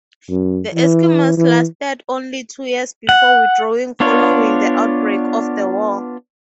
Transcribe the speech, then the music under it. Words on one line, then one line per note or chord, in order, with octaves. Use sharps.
The Eskimos lasted only two years before withdrawing following the outbreak of the war.
F#2
E3
E3
F#5
B3 D4 F4 C#5